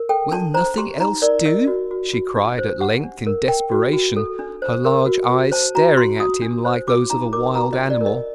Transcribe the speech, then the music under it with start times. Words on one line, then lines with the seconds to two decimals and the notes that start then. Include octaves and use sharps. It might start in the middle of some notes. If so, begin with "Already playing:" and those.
"Will nothing else do?" she cried at length, in desperation, her large eyes staring at him like those of a wild animal.
Already playing: A#4
0.09 A4 G5
0.32 D4 A5
0.54 C5 A#5
0.78 G4 C6
1.00 D#4 A#5
1.22 A#4 D5
1.45 A#4 D#5
1.67 F#4
1.91 F#4
2.13 F#4
2.36 D4
2.59 C5
2.80 G4 F#5
3.03 D4
3.27 A#4
3.48 A#4 G5
3.72 F#4
3.93 F#4
4.16 A4
4.39 D4
4.62 C5
4.85 A#4
5.06 F#4
5.29 F#4
5.51 C5 A5
5.75 F#4 A#5
5.97 F#4 C6
6.19 F#4 D#6
6.42 D4
6.65 C5
6.87 F#4 D6
7.10 D#4 A#5
7.33 A#4 D6
7.55 F#4 A#5
7.73 D#5
7.78 D4
7.90 D5
8.01 A#4
8.06 D#5